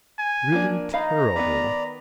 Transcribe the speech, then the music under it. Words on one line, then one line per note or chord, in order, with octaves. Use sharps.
Really terrible.
G#5
F3 A#3 D4
D#4 F5 A#5 B5
D#3 B3 D5 B5